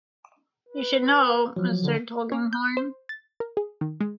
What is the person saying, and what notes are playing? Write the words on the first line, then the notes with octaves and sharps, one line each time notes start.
You should know, Mr. Tulkinghorn.
B4
F3 F#3
D3
C#4
G6
C5
A6
A#4
G#4
D#3
G#3